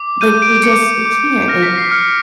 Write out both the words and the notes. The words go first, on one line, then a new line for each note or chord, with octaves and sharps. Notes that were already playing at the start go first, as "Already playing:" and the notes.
Like, we just we can't." And
Already playing: D6
G6 D#7
D7
D6 C#7
D6
F6 A#6
B6
C7
F6 C#7